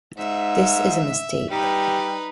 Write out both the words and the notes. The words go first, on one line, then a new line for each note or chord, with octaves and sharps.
This is a mistake.
G#2 E5
G3 D#4 B4